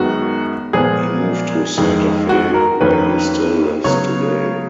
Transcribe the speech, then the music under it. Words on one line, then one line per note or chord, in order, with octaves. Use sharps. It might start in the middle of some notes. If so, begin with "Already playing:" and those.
He moved to Santa Fe where he still lives today.
Already playing: F#2 D#3 G#3 B3 F#4
A#2 F3 G#3 B3 G#4
F2 D#3 G#3
F#4
A#4
F2 D#3 A#3 C#4 B4
C#3 F#3 B3 C#5